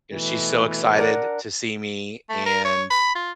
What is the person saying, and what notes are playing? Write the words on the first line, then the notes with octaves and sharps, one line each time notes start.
you know, she's so excited to see me, and,
B2 E3 A3
D4 A#4 F#5
A3
A#4
C#5
B5
F4